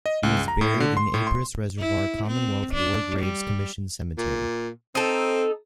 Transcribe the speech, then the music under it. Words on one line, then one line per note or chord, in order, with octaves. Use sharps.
He is buried in Ypres Reservoir Commonwealth War Graves Commission Cemetery.
D#5
C#2
A#5
A2
D3
C6
A2
C6
E4
C4
D4
G3
A#2
C4 D#4 A4